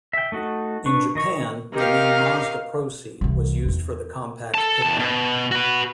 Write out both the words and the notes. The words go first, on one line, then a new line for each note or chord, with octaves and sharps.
In Japan, the name Mazda Proceed was used for the compact pickup.
E5 G5
A3 D#4 F#4
D4 B4 C#6
D#3 D#5 C#6
D#3 G4 F5
C2 E3
E2 D#4
A4 A5
E2 A5
B2
F#4 B4